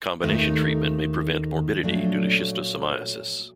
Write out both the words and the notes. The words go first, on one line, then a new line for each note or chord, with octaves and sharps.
Combination treatment may prevent morbidity due to schistosomiasis.
D#2 D#3 A3 D#4
A#2 F#3 A3 D4